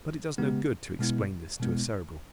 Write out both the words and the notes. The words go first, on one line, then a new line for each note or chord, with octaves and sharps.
But it does no good to explain this to a Cerebral.
C#3 G#3 B3 G4
B2 G#3 B3 E4
B2 G#3 B3 E4